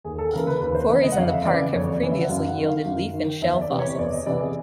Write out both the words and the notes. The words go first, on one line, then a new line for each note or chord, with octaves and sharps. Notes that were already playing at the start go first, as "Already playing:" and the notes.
Quarries in the park have previously yielded leaf and shell fossils.
D#2 G#4
A4
C#3 E3 A#4
B4
D#2 B4
C5
C#3 E3 D#5
D#5
F#5
F2 F5
E5
C#3 E3 D5
F2 C#5
D5
C#3 E3
E5
F#5
F#2 F5
F#5
D#3
F5
F#2
D#3
E2 E5
D5
C3 E3
C#5
E2 D5
D#5
C3 E3 D5
G#4